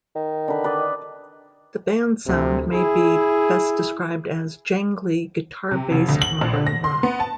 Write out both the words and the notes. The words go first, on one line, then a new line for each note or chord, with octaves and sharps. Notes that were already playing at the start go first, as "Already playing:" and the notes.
The band's sound may be best described as jangly guitar-based modern rock.
D#3
D3 B4
B4 D5 D#5
D2 C3
E4 G#4
C3
F1
D2
F#7
A#1
D3
A#6
C6
B3
A5